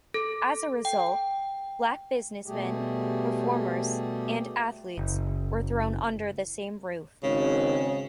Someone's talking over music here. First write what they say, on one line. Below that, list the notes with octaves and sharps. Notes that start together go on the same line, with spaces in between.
As a result, black businessmen, performers, and athletes were thrown under the same roof.
A4
G5
B2 G3 A3 G4 G#4
F#1
G#1 C#3